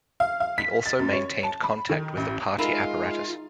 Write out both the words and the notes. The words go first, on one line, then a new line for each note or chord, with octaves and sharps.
He also maintained contact with the party apparatus.
F5
F5
B6
A6
F#2
C#5
A5
B5
D#3
A1
G#3 D#4 F4 A#4 E5 B5